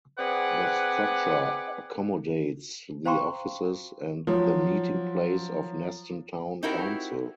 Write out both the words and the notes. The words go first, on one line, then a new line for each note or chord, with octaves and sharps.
The structure accommodates the offices and the meeting place of Neston Town Council.
C4 G#4 B4 D5 F#5
C5 F5 G5 A#5 C6 C#6
F3 F#3
C4 D#4 E4 F#4 G4 A#4